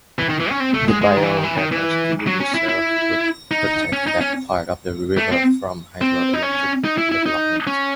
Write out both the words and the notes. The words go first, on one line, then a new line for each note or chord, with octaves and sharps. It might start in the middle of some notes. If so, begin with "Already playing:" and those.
The biodiversity reserve would protect that part of the river from hydroelectric development.
E3
D#3
E3
C#4
C4
A3
G#3
G#3
D#3
E3
D#3
E3
D#3
E3
F#3
C#4
E4
E4
D#4
C#4
D#4
C#4
A3
C4
C4
D#4
C#4
D#4
E4
E4
D#4
C#4